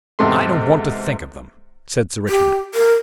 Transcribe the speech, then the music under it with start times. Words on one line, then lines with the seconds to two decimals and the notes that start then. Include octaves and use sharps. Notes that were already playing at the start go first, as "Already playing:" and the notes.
"I don't want to think of them," said Sir Richmond.
0.19 E2 G#2 C3 A4 C6
2.29 G4
2.74 A#4